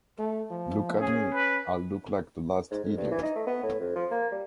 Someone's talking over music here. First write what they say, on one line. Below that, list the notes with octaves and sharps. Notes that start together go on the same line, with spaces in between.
Look at me, I look like the last idiot!
A3
F3
C#4 G#4
B4
G#2
F2
G2
E3
D#4
A3
B3
A2
F2
F3
A#3
G3